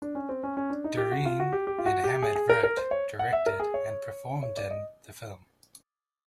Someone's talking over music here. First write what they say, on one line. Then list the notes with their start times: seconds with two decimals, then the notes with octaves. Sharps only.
Deren and Hammid wrote, directed and performed in the film.
0.02 D4
0.15 C#4
0.29 C4
0.43 C#4
0.57 C#4
0.70 D4
0.84 D#4
0.97 G4
1.12 F#4
1.25 F4
1.40 F#4
1.53 G4
1.67 G4
1.78 F4
1.86 F#4
2.04 G4
2.22 G#4
2.36 G#4
2.49 A#4
2.64 A#4
2.77 C5
2.91 C#5
3.19 F#5
3.33 E5
3.46 A#4
3.60 G#4
3.74 C#5
4.43 C#5
4.57 D5
4.71 D#5